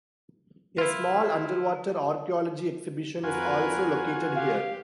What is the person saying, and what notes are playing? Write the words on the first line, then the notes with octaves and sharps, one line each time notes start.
A small underwater archeology exhibition is also located here.
E4 F4
F2 F4 F#4 A#4 B4 G#5
G4 F5